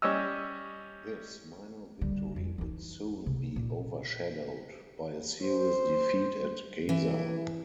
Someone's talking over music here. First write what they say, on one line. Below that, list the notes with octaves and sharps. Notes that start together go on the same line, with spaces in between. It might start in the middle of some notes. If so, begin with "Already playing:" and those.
This minor victory would soon be overshadowed by a serious defeat at Gaza.
G3 C#4 C#5 D#5 E6
D3 G3
F2
E3 D#4
C3
A#2
C5
E3